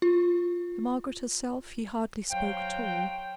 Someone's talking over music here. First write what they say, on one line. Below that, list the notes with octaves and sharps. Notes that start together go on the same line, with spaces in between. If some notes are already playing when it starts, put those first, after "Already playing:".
To Margaret herself he hardly spoke at all.
F4
F#3 C5 F5 G5